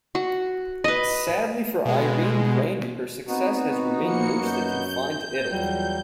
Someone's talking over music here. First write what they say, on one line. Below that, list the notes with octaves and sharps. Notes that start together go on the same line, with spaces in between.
Sadly for Irene Grandi her success has remained mostly confined to Italy.
F#4
B4 D#5
B2 G#3
B3 C4 D#4 F#4
F3 A#3 C#7
F#2 G6
E2 F#3 G3 F4